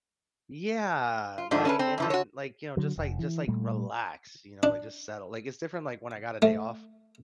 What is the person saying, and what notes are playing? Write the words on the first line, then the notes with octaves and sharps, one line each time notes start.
Yeah, like, and and, like, you know, just, like, just, like, relax, you know, like, just settle, like, it's different, like, when I got a day off,
F4
G#2 F3 A3 D4
C#4 A4 B4
C4
F#2 E3 F3
F#4 C#5
D3 F#3
F1
E3
A#2 G3 A3
D4
A3